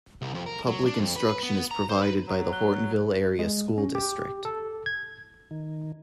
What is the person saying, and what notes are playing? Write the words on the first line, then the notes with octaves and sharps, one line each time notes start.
Public instruction is provided by the Hortonville Area School District.
C2
F2
A#4
F#3
D4
F2
B4
B4
B3
A#5
C5
B4
F#3
F#6 G7
G#3
C#4
G4
A4
G#6
D#3